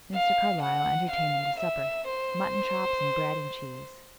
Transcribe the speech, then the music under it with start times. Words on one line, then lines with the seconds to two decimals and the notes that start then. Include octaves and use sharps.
Mr. Carlyle entertained them to supper--mutton chops and bread and cheese.
0.14 F5
0.62 F#5
1.11 F5
1.60 E5
2.07 C5